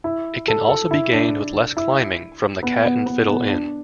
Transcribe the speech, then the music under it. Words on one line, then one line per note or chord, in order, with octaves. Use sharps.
It can also be gained with less climbing from the Cat and Fiddle Inn.
E4
A4
A4
E4
D4
E4
B3
B3
B3
B3
D4